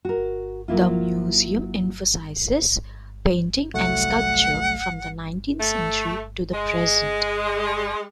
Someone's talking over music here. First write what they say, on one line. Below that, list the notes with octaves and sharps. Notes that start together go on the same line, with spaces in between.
The museum emphasizes painting and sculpture from the nineteenth century to the present.
F#4 A#4
F#3 A#3 E4 F4
C2 F#3 A3 F#5
A3
G#3